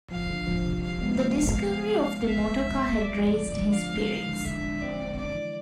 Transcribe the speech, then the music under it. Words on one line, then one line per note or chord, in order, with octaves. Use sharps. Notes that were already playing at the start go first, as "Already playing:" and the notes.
The discovery of the motorcar had raised his spirits.
F3 F5
D3
F3
C3
F5
G#3 B3
A3 C4
G#3 B3
A3 C4
G#3 B3 E5
A3 D5
F3
D3
D3
F3 F5
G#3
E3
D3
D3 E5
D5
D5
E3